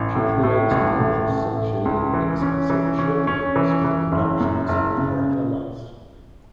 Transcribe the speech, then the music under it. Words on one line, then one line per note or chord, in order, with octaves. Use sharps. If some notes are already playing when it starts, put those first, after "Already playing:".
She creates numerous sexually explicit short films for the productions of Erika Lust.
Already playing: A1
A2
A2
A1
A2
A1
A2
C#2
E3
C#4
E3
C#4
C#4
E3
E3
F#1
F#2
F#1
C#3